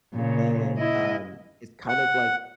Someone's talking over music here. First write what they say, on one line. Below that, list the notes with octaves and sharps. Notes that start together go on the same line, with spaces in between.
and, um, it's kind of like
A#2 C#3
E4 D#5
F#5